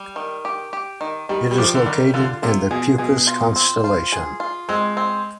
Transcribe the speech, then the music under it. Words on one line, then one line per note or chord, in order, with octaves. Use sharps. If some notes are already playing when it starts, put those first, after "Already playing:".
It is located in the Puppis constellation.
Already playing: G3
D#3
G4
G4
D#3
D#3 G3
G3
F3 G4
D3
D#3 G3
D3 F4
C3 F4
B2 G#4
B2 G#4
F4
C4
F4
G#4
F4
G#3 C4
C4